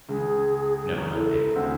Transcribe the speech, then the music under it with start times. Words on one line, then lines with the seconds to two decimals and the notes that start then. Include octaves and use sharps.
"No, not big."
0.09 C#2 G#4
0.98 A#5
1.13 E4 A4
1.56 D2 C4 F#5 E6 G6